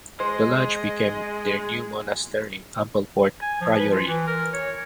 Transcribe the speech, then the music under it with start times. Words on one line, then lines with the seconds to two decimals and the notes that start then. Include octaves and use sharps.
The lodge became their new monastery, Ampleforth Priory.
0.20 G#3 C5 D#5
3.42 G#5
3.61 F3
3.79 B4
3.92 F4
4.07 E3
4.27 A#4
4.53 C#5